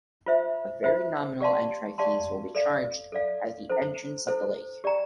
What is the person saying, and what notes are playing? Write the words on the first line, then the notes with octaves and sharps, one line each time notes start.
A very nominal entry fees will be charged at the entrance of the lake.
F4 C5 E5
F4 C5 E5
G4 D5 F5 A5 C6
G4 D5 F5 A5 C6
A4 D5 F5
A4 D5 F5
E4 A4 C5
E4 A4 C5
G4 D5 G5 A#5